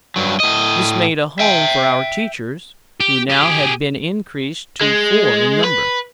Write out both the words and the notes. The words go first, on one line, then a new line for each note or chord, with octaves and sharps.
This made a home for our teachers, who now had been increase to four in number.
G2 F#3
A2 D#5
E5 G5
G4
G4 G#4
G#3
B4